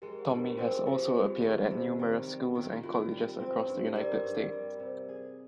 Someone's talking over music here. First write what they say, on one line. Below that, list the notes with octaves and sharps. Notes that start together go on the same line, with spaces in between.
Tommy has also appeared at numerous schools and colleges across the United States.
G#3 G4 A#4
C5
G2 G4 A#4
F4
C4 G4
G#4
F3 G4
F4
G#3 F4
G4
D#3 G#4
F4
C3
D#3
G3
D#3
D#3 F4
G3
C4
G2
C4 A#4 D5
G2
G3
C3
G#4